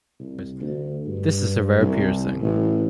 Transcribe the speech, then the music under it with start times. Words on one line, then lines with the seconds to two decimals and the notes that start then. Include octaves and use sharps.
This is a rare piercing.
0.20 C2
0.61 D2
1.07 G2
1.81 C2
2.41 A1